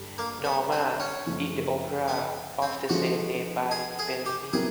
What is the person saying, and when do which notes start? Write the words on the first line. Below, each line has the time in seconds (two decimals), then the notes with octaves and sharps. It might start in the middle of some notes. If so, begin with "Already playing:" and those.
Norma in the opera of the same name by Bellini.
Already playing: G2 D3 G3
0.18 A#3
0.45 B3
0.72 C4
1.00 C#4
1.26 F#2 C#3 F3 A3
2.08 B3
2.62 C4
2.89 D3 F3 G#3 C#4 F#4
3.71 G#4
3.99 G#4
4.26 G4
4.53 F#3 B3 E4 G4 G#4 A#4